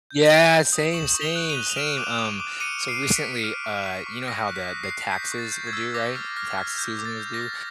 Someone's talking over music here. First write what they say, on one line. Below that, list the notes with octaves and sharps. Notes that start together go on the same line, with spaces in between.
Yeah, same, same, same, um, so, recently, uh, you know how the the taxes were due, right? Tax season was due,
G6
G6
G6
D#6
C#6 E7 F#7
C#6
F7 G7
F#6
D#7 F7
F#6
F7
F6 D7 E7
D6
D6
D6
D6 C#7 D#7
F6
C7 D7
D6 D7
B6 C#7
D6
F6 C7
C#6
C#6 B6
C#6
D#6 A#6
F#6
B6
F#6
C7
F#6
G6 B6
C#6
A6
G6
G#6
E6
D6 A#6
F6
F6 A#6
F6
G6
D6
A6
G6
A#6
D6